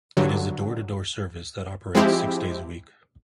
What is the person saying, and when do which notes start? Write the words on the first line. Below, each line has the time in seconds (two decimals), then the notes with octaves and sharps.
It is a door to door service that operates six days a week.
0.17 G2 D3 F#3
1.95 F3 G#3 C4 E4 G4